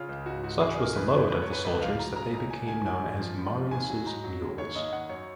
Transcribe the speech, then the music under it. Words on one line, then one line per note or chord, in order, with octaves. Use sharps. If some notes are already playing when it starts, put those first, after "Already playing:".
Such was the load of the soldiers that they became known as "Marius' Mules".
Already playing: C#3 F4
C#2
G#2 F#4
G#2 F#4
C#2 G#4
C#3 A#4
F2 B4
F2
F#2 B4
C#5
F#2 B4
C#2 B4
F3 F5
F#3 A#5
C#3 A#5
C#2 A#5
C#2 G#5
D#3 G#5
F#2 G#5
F2
F3
F3
F3
D#2 G#5
F#3
G#2 A#5
F#3
D#2
D#2 C#5
D#2 D#5
D#2 F#5
F#2 C#5